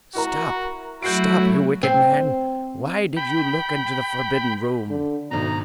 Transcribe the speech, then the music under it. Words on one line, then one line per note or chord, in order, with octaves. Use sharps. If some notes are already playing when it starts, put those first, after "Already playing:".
"Stop! stop, you wicked man, why did you look into the forbidden room?"
E4 F#4 A#4 A#5
F#3 A3 E4 F#4 G6 C7 D7
C4
G5 B5
D3
G#1 D2 B2 D#4 A#5